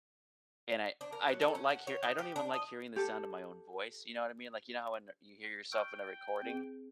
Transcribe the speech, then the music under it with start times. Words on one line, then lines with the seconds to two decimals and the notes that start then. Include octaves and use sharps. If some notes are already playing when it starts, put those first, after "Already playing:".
and I I don't like hear I don't even like hearing the sound of my own voice, you know what I mean? Like, you know how when you hear yourself in a recording?
1.01 D4
1.13 A#4
1.29 F#3
1.41 A4
1.55 C#4
1.70 F#5
1.87 C#5
2.03 D#4
2.18 G4
2.36 D4
2.54 D#5
2.96 G4 A4
5.72 G5 C#6 E6 F6
6.42 C4 G#4